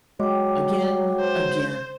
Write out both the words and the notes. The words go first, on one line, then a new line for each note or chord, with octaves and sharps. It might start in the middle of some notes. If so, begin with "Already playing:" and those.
Again! again!
F#3 G#3 G5 D6
C5